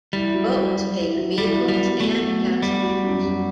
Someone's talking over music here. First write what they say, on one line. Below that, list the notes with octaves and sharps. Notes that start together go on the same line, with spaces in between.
Both take vehicles and passengers.
G3 E4
F#3
F#3
F#3
E4
F#3
G3 E4
F#3
G3
B3
A3 B3
F#3
B3
G3 F#4
F#4
F#2
F#4